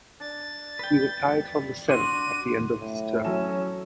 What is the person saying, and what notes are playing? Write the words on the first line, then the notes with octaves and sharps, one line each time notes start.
He retired from the Senate at the end of his term.
D4 A6
B4 G5
D4 F#4 C5 C6 E6 D#7
A2
F#3 C#4 A4 E7